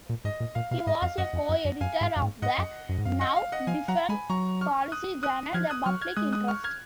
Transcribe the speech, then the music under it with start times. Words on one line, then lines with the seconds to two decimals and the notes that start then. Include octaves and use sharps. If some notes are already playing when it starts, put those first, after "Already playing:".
He was a co-editor of the now-defunct policy journal "The Public Interest".
0.09 A#2
0.24 G#2 D#5
0.40 A#2
0.55 A#2 F5
0.71 B2 F5
0.87 G#2 D#5
1.02 F2 F5
1.18 F#2 D#5 F#5
1.33 F2
1.49 F#2
1.65 F#2
1.81 F#2 F5 G#5
2.01 G#2 F5
2.16 F#2
2.22 G#2
2.42 G#2 D#5 F#5
2.58 F#2
2.89 F#2
2.98 G#2
3.05 F#2 F5
3.21 D#5 F#5
3.36 F5
3.52 D#5 F#5
3.67 F3 F5 G#5
3.88 F#3 F#5 A#5
4.09 G#3 G#5 B5
4.30 F#3 A#5 C#6
4.61 C#6 F6
4.92 D#6 F#6
5.23 D#6 F#6
5.54 F3 F6 G#6
5.70 D#6 F#6
5.86 F#3 C#6 F6
6.01 F6 G#6
6.16 G#3 D#6 F#6
6.32 D#6 F#6
6.48 C#6 F6
6.64 F6 G#6